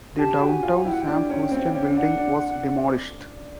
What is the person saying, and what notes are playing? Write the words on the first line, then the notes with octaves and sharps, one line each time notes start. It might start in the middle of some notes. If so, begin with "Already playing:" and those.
The Downtown Sam Houston building was demolished.
G4 A5
F#4 G5
G#5
F4
G#5
E4 G5
F#5
G5
D4
C#4
C4
C#4
D4 F#5
D4